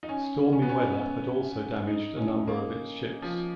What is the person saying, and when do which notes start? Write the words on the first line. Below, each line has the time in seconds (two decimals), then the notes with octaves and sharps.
Stormy weather had also damaged a number of its ships.
0.03 D#4
0.09 C#4
0.53 C#4
0.62 B3
0.69 C#4
0.97 C#4
1.87 D#4
2.17 C#4
2.47 A#3
3.22 F3